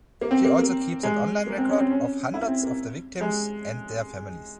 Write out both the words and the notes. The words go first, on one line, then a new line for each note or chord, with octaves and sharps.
She also keeps an online record of hundreds of the victims and their families.
A#3
C4
A#3
A#3
G#3
A#3
C4
C#4
C4
C#4
E4
C4
A#3
G#3